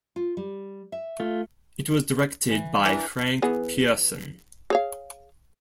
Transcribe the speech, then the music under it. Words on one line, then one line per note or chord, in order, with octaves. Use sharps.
It was directed by Frank Pierson.
F4
G3
E5
A3 F4
E3
E3 D4 A#4
E3 B3 G#4
G#4 C#5 F5